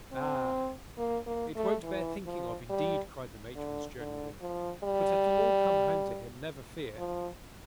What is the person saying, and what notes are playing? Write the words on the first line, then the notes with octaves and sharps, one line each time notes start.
'Ah! it won't bear thinking of, indeed,' cried the matrons generally; 'but it'll all come home to him, never fear.'
C4
A#3
A#3
A3
E3
F3
G3
D3
D3
F3
G3
F3